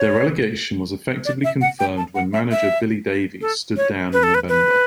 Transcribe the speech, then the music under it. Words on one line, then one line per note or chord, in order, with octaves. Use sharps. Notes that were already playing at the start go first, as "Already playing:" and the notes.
Their relegation was effectively confirmed when manager Billy Davies stood down in November.
Already playing: C#5
D5
E5
F#5
G5
A5
F#5
E5
E5
A4
C#5
B4
A4
B4
B4